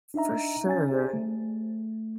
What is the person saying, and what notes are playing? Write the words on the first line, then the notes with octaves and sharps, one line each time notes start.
For sure.
D4 D#4 D#5 E5 A#5
C#4 C#5 G#5 A6
G4 G#4 C5 D5
A3